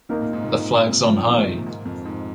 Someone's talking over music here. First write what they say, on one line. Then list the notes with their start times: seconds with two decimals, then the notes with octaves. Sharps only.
The flags on high!
0.09 C3 A#3 D#4 A#4
0.21 A#2
0.33 G#2
0.44 A#2
0.88 C3
1.07 F3
1.28 D#3
1.47 C3
1.58 A#2
1.66 G#2
1.85 F2
2.05 G#2